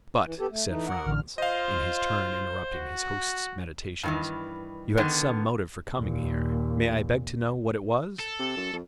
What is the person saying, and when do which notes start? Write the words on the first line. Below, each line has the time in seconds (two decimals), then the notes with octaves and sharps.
"But," said Franz, in his turn interrupting his host's meditations, "you had some motive for coming here, may I beg to know what it was?"
0.25 E3
0.39 B3 G4 A4
0.51 A3
0.68 E3 A3 D#4
0.87 A#4 F#5
1.06 A1 D3 F6
1.38 F4 C5 D#5 F5
2.73 F#4
4.03 G2 D#3 E3
4.97 D3 D#3 B3
5.96 D#2 A#2
8.19 A4
8.39 C3
8.57 F#2
8.73 F2